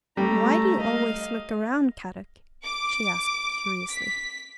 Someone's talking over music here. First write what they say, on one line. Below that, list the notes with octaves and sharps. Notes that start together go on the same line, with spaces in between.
"Why do you always look around, Kadok," she asked curiously.
G3 A3 A#5
D#5 F5
D6
B6